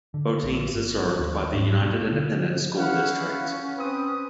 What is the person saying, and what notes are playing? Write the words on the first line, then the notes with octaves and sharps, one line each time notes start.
Botines is served by the United Independent School District.
D3
A#1
G1
D#2
G#2
B2
D3
C#4 E4 F5 F#5
C4 B4 D#6